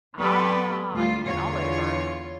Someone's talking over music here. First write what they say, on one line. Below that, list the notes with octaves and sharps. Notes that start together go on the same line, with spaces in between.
Ah, you've been all over.
F#3 B3 G4 A4 B4 D5
D2 A2 G3 F4
E2 D3 F4 C#5